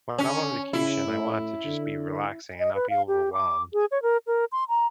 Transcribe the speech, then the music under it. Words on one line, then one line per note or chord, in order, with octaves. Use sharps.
when I'm on vacation, I want it to just be relaxing and not be overwhelmed.
D3 C#4
C#3 E4
A2
D3
D#5
B4
F5
G4
D6
G#4
C#5
A#4
A#4
C6
A#5